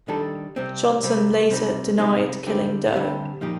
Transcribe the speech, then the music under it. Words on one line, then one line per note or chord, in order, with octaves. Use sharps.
Johnson later denied killing Doe.
D#3 G3 D4 A4
C3 G3 C4
C3 G3 C4
C3 G3 C4 D#4
C3 G3 C4 D#4
D3 G3 C4 G4
D3 G3 C4 G4
A#2 F3 A#3 D#4 G4